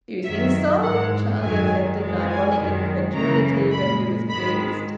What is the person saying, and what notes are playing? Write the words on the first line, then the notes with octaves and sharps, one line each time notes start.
"You think so?" Charlie affected an ironic incredulity, but he was pleased.
F#2 D#3 F#3 E5
G#2 E3 G#3 F#5
F#2 D#3 F#3 G#5
F#2 E3 G#3
G#5
F#2 D#3 G#3
F#2 C#3 E3 A#5
A#2 G#3 B5
G#2 D#3 G#3 B5